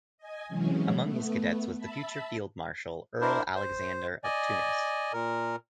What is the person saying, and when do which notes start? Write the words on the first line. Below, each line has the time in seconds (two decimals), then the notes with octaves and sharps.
Among his cadets was the future Field Marshal Earl Alexander of Tunis.
0.18 D#5 G#5
0.49 C3 E3 F#3 G#3 C#4
0.97 A3 B3
1.78 E5 A5 B5
3.21 D4 E4 A#4 C5
3.55 C5
4.24 D5 D#5 G#5
5.13 A#2 A#4